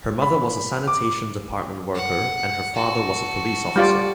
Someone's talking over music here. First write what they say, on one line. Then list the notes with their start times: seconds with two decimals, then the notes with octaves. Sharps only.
Her mother was a sanitation department worker and her father was a police officer.
0.22 B5
0.88 D6
1.95 F#5
2.74 F#4 A4
3.76 G3 F4 D5